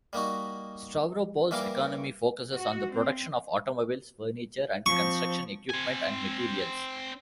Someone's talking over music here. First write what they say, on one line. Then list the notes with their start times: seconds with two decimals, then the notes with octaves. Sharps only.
Stavropol's economy focuses on the production of automobiles, furniture, and construction equipment and materials.
0.13 G3 A#3 D#4 F#4
1.51 E3 G3 A#3 A#4 F5 D6
2.53 F#4
2.91 C4
4.86 F3 C4 C#6
5.70 C4 G#5